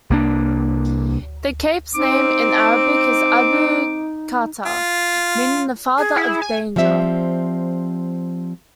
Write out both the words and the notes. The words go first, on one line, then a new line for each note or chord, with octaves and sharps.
The Cape's name in Arabic is "Abu Khatar", meaning "the father of danger".
C2 A#3 D4
C4 D#4 D6
F4
G#4
E4
G#5
F3 G3 C4 E5